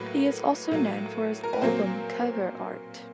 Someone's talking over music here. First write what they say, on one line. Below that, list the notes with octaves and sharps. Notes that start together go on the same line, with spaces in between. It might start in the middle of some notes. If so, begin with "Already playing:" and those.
He is also known for his album cover art.
Already playing: A2 F#3 A#3 B4
A2 F#3 A#3
A#4
B4
A#2 F#3 A#3 C4 C5